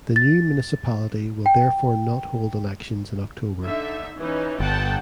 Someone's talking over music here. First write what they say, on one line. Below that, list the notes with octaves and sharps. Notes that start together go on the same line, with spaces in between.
The new municipality will therefore not hold elections in October.
A6
G5
D3 D#4 E5
E3 C#4 D#4
G1 F#5 G5 A5